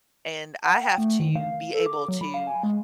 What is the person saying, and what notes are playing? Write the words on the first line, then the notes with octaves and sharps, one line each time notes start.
And I have to be able to
F#5
G5
A3
D#3
F5
A4
D6
F#3
B5
F5
G#5
G#3